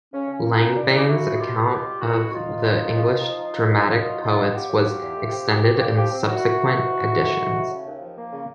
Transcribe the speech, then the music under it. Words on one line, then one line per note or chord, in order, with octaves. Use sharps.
Langbaine's "Account of the English Dramatic Poets" was extended in subsequent editions.
C#3 C#4
C#3
C#4
A#3
C#4 D#4
F#3
C#3 D4 E4
A#3 G4
C#3 E4 F#4
F#3
G#4
B2 F4 G4
B2
C#2 F4 G4
G3
B2 E4 F#4
C#2
C#2 D#4 F4
C#2
C#3
C#3
C#3
D#2
F3
F3
D#2
F3
E2 D#4 F4
F#3
E2 D#4 F4
C#3
B3 F4 G4
F#3
F#3
E2
A3
C4
C4
C4
F#4
A#2 F4 G4
F3 F4 G4
C4
A#2 E4 F#4
A3
G#2
G#2
E3
G#2
A3
G#2
A3
C#3
D#2
F3
A#3
C#3